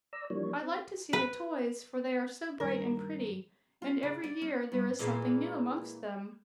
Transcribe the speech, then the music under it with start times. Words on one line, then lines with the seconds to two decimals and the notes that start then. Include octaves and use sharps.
I like to see the toys, for they are so bright and pretty, and every year there is something new amongst them.
0.13 D5 A#5 E6
0.30 E3 F3 G3 A#3 D4 C#5
0.62 C4
1.13 B4
2.60 G2 D#3 A#4
3.82 F4
4.03 C#3
4.24 D5
4.42 C#4
4.72 G2
4.99 A#2 E3 G#3